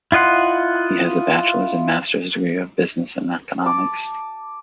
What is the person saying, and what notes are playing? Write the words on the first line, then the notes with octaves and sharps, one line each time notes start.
He has a bachelor's and master's degree of Business and Economics.
E4 F4 D#5 F#5 C6
A5 D6